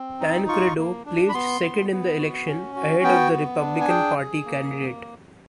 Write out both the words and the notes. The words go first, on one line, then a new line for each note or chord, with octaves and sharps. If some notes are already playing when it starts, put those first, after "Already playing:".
Tancredo placed second in the election, ahead of the Republican Party candidate.
Already playing: C4
D#4
F4 C#6
A#3
D4
B5
B3 C6
B3
B3
F#4
C#4
F#4
B3 G5
B3
D4
G#5
G#4 G5
G#4
A#3